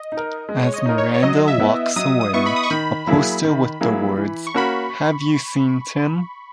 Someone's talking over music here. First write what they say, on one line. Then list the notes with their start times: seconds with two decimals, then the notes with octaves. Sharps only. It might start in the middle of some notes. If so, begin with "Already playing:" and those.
As Miranda walks away, a poster with the words Have you seen Tim?
Already playing: D#5
0.12 D#4
0.17 A#4
0.49 G#3
0.63 C#5
0.74 D#5
0.86 D#4 A#4
0.98 C#5
1.14 C#5
1.23 F#3 D#5
1.48 E5
1.60 B3 E4
1.96 F#3 D#6
2.21 D#6
2.33 B3 E4 C#6
2.46 B5
2.56 D#6
2.63 C#6
2.70 D#3 B5
3.07 F#3 A#3 E4 G#4
3.45 D#3
3.81 F#3 A#3 E4 G#4
4.17 E3
4.47 C#6
4.54 A#3 C#4 F#4 A#4 B5